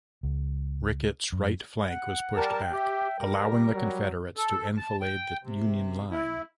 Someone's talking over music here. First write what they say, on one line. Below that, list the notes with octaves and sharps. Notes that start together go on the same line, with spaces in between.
Ricketts's right flank was pushed back, allowing the Confederates to enfilade the Union line.
C#2
F#2
F#5
G3 A#4 G5 A5
G4 E5
G3 A#4
F#3
A4
A5
G5
C3
E4